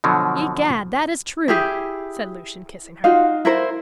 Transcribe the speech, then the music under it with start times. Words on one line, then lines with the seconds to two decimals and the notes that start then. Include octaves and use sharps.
"Egad! that is true!" said Lucian, kissing her.
0.04 B2 D3 F3 F#3
1.48 E4 G4 G#4
3.04 D#4 F4 F#4 F5
3.45 E4 A#4 C5